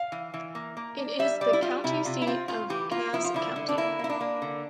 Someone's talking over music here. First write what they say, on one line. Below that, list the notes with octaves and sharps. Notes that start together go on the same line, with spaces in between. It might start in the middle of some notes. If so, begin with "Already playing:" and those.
It is the county seat of Cass County.
Already playing: F5
E3
E3
A#3
A#3
D4
G3 E5
G3 D5
E4
G3 F4
C3 E4
C3 F4
E4
C4 F4
A2 F4
E3 G4
A#3 F4
F3 E4
F4
D3 E4
D3
D4
A#3 E4
A#3 E4
D4
A#3
D3